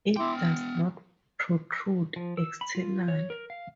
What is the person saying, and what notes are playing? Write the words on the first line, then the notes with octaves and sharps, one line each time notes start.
It does not protrude externally.
B3 E4 G5 C6 D6
F6
F3
E6
B5
F4
C#5
A#4
F5